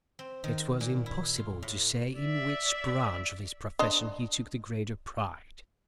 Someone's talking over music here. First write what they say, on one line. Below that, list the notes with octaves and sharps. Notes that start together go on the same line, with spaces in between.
It was impossible to say in which branch of his profession he took the greater pride.
C4
D#3
A#2
E4
F4
A2
D5 E5
D4 C5 D#5